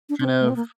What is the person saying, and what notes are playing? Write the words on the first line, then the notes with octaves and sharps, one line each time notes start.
kind of
D4
D4
C4
A3
C4
A#3